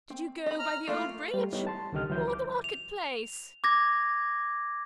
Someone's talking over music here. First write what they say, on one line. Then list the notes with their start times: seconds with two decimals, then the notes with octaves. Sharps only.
Did you go by the old bridge, or the market-place?
0.10 C4
0.46 D#5 B5
0.59 A#5 F6
0.88 A3 A#3 E4 F4
1.34 G3 A3
1.53 G3 B3 D#4 E4 C#5 D#5
1.67 A5 C6
1.92 C2 D3 D#3 G4 D#5 F6
2.09 C#2 E3 F#3 E5 C6 G6
2.28 D6
2.64 F7
3.64 D6 G#6 A#6